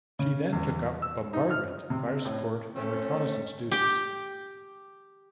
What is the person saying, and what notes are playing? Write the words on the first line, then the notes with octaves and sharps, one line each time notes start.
She then took up bombardment, fire support and reconnaissance duties.
C#3
E2
E6
D#4
F6
C3
A2
A3 C4 C#4
G4 G5